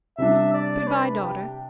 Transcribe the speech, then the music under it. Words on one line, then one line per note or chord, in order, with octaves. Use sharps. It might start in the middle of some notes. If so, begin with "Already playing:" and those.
Good-bye, daughter.
C3 G3 D4 E5
D5
B4
G4